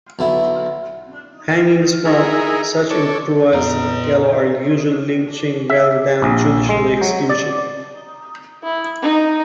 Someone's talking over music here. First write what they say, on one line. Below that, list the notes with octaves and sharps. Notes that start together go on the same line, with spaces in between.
Hangings from such improvised gallows are usually lynchings rather than judicial executions.
B1 D3 E4
D#4 E4 G#4 A#4
A4 C#5 D5
F2 A#2 B3 B4 D#5 A#5
E5
A#1
G#3
F#3
D5
E4
D#4